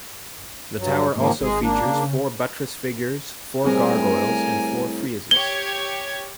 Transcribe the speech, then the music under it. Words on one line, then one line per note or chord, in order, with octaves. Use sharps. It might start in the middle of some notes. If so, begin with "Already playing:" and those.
The tower also features four buttress figures, four gargoyles and four friezes.
G2 F#3
G#2 D#3 F3 A#3
G#1 G#3 G#4
A#3 D4
C#3
A2 G3 C4 G#4 A#4 G#5
G4 C#5 G#6 G7